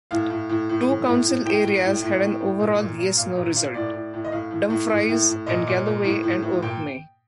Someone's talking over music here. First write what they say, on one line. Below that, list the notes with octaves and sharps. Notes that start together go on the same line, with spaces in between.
Two council areas had an overall "Yes-No" result - Dumfries and Galloway and Orkney.
A2 F5
A2
A2
A2
A2
A2
A2
A2 G5
A2
A2
A2
A2
A2
A#2
A#2
A#2
A#2 F5
A#2
A#2 F5
A2 D5
A2
A2
D#5
A2 F5
A2
A2
A2
A2
A2
A#2 D#5
A#2
A#2
A2
A2
A2
A#2 G5